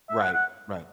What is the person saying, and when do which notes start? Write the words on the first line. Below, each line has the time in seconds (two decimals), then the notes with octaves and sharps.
Right, right.
0.09 E5
0.21 F#5
0.33 F#5